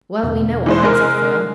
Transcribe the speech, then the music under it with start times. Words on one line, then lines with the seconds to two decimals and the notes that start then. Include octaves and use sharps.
"Well, we know all that," said Foyle.
0.23 E2 B2 D3
0.66 E3 G#3 C5
0.83 C3 G#3 A#4